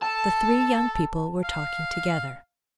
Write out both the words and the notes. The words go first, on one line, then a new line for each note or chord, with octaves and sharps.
The three young people were talking together.
A4 A5
F5